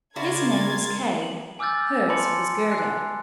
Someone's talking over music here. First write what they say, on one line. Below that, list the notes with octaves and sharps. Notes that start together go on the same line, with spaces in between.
His name was Kay, hers was Gerda.
C#3 E4 F#4 A#4 D5 C6 G#6 A6
F#7
G#5 D6 E6 F6 G6 A6
G#5 A5 B5 C6 D6 C#7
G#5 F#6 C7